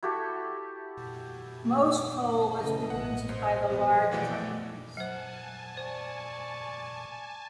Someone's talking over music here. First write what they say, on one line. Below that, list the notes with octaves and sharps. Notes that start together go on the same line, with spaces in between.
Most coal was produced by the large companies.
E4 F#4 G4 A4
C#3 E3 D#5
A1 F#5
C2 C5
F3 G3 B3
B2 E3 A3 D5 F#5 G5
F#3 C5 F#5 G#5 A5
C5 D5 C#6